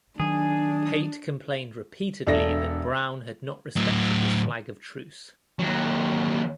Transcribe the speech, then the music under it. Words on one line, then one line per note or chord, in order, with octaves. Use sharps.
Pate complained repeatedly that Brown had not respected his flag of truce.
D#3 F#3 D4 G#4
E1 D4 A4 E5 A#6
A2 F#3
D#2 F#3